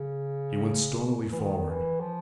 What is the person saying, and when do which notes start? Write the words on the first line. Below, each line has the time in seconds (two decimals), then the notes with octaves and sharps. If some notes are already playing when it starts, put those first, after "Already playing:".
He went stonily forward.
Already playing: C#3
1.32 E3
1.40 D#3
1.70 E3
2.01 F3